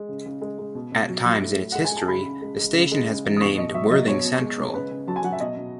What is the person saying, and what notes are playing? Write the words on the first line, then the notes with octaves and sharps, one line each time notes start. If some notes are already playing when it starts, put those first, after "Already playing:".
At times in its history the station has been named Worthing Central.
Already playing: G#3
C#3
C#3
G#3
G#3
B2
B2
F#3
F#3
A2
A2
G#3 F#5
G#5
G#3 A5
C#3 B5
C#3
G#3
G#3
C#3
G#3
C#3
E3
D#6
B2 C#6
B2 D#5
F#3 E5
F#3 D#5
B2 C#5
B2
G#3
G#3
C#3 B4
C#3
F#3 A5
G#5
F#3 F#5
E5
B2 D#5
B2